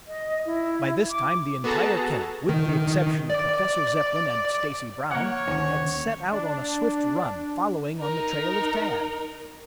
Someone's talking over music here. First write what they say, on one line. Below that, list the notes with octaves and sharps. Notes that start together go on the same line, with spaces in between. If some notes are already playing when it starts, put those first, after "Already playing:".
By this time the entire camp, with the exception of Professor Zepplin and Stacy Brown, had set out on a swift run, following on the trail of Tad.
D#5
E4
D6
B3 F#4 G#4 A4 A5 A#5
D#3
D5
A#3 C#5 F#5
D2 D#3 C#4
D4
D#4 A#4